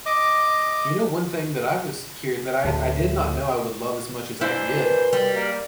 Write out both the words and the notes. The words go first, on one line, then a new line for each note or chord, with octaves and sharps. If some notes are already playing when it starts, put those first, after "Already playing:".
You know one thing that I was cur that I I did not know I would love as much as I did,
D#5 D6
D2 A2
E3 D4 E4 C5
F#4 A#4 B4
G3
A#3 D5